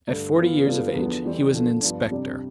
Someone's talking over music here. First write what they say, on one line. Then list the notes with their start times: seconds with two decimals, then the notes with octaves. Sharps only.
At forty years of age he was an inspector.
0.08 G2 D3 A3
0.38 E3 B3 F4
0.66 D3 G3 B3 F4 A4
0.94 E2 D3 F3 B3
1.24 F2 E3 G3 C4
1.53 D3 F3 A3
1.81 G2 F3 B3 D4
2.10 F2 C3 G3 D4